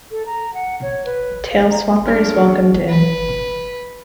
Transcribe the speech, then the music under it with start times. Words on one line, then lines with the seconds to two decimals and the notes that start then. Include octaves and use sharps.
Taleswapper is welcomed in.
0.11 A4
0.26 A#5
0.54 F#5
0.82 C#5
1.05 B4
1.50 F5
1.70 A#5
2.06 F2 G3 C#4 D4 G#4 A#4 D5
2.88 B4